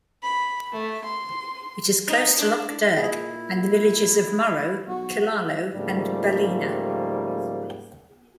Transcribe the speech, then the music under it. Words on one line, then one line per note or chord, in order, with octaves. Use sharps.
It is close to Lough Derg and the villages of Murroe, Killaloe and Ballina.
B5
A3
C6
D#4
D4
A#2 E4 G#4 D#5
B1 F#4
G#2 C#3 F3 G3 A3 A#3